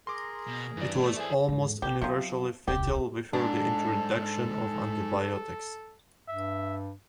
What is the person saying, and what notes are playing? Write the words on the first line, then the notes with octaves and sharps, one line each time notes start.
It was almost universally fatal before the introduction of antibiotics.
G#4 A#4 A#5 C6 D6
B2
G2 E3 D4 D5
A3 A5
G#4 A4 C5 E5 G#5
E2 G#2
A#1 G4
C3 F3 F#3 B3
D#1 C2 G4
G#2 D4 A4
G2 E5